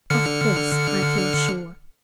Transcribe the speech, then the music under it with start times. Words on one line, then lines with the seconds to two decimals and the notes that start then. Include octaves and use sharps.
Of this I feel sure.
0.10 D3 F6 C#7